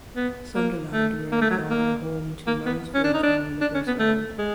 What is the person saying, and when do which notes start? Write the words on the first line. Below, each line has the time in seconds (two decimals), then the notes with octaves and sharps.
Sunderland were drawn at home to Mansfield Town in the first round.
0.17 B3
0.55 A#3
0.93 A3
1.32 A#3
1.42 A3
1.51 F#3
1.70 A#3
2.47 A#3
2.66 B3
2.95 C#4
3.04 D4
3.14 D#4
3.23 D4
3.62 D4
3.75 C#4
3.87 B3
4.00 A3
4.39 G#3